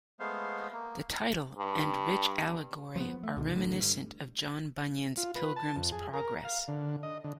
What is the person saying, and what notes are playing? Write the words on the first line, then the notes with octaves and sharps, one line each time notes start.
The title and rich allegory are reminiscent of John Bunyan's "Pilgrim's Progress".
G#3 A3 B3 C5 F5
A#3
G2
F3 F#3 B3
A3
C#2 B2 D3 D#3
A1 A2 D3
G2
F4
B4
A5
F2
G#4
A#4
F5
D3
D#5
D3